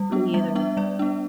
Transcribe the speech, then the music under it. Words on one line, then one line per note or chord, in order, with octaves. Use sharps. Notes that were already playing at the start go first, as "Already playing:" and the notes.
Me either.
Already playing: G3
B3 D4
G3 E5
B3 D4 E5
G3 D5
B3 D4